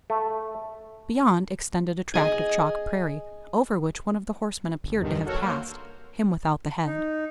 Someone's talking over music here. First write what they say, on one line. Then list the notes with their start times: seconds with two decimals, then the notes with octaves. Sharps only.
Beyond, extended a tract of chalk prairie; over which one of the horsemen appeared to have passed--him without the head.
0.10 A3
2.14 G#4 D#5 G#5
4.83 G1
5.01 E2 G2 C3 D#3
5.25 F#4 A4 A#4 C#5 F#5
5.42 A#3 C5
6.86 D#4